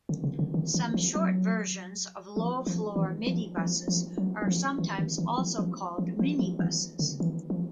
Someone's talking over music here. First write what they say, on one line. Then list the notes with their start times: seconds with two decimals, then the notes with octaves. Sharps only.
Some short versions of low floor midibuses are sometimes also called minibuses.
0.09 D3
0.24 C#3
0.39 D3
0.54 D#3
0.74 E3
0.94 F3
1.15 F#3
2.36 F3
2.66 F3
2.96 E3
3.27 F3
3.57 F3
3.88 F3
4.18 F#3
4.42 F#3
4.47 F3
4.78 E3
4.98 D#3
5.18 E3
5.38 F3
5.58 F3
5.98 F3
6.19 F3
6.39 F3
6.59 E3
6.99 D3
7.20 E3
7.50 F3